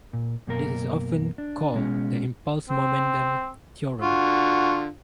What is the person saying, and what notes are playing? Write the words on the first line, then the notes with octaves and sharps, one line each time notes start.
This is often called the impulse-momentum theorem.
A#2
F#2 B2 A#3 A#4
D4
B2 G#3 C#4
C4
D3 F4 F#4